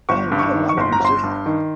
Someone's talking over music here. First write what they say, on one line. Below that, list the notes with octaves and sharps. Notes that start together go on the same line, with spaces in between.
Oh, no, I'm a musician.
G1 C#6
G2
C#6
D#3
C#6
G1 C6
A#5
G1 C6
G2
D#3